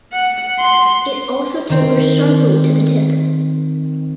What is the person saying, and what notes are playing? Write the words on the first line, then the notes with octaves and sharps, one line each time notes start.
It also tapers sharply to the tip.
F#5
C6
D#3 C4